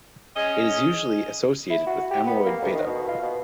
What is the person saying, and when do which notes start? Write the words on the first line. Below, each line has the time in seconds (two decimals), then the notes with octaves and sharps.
It is usually associated with amyloid beta.
0.37 C#4 G#4 D#5
1.70 E4
1.87 F#4
2.11 G4
2.26 B3
2.46 A#3
2.61 D2
2.75 D#3
2.86 B2
3.08 F4
3.22 B2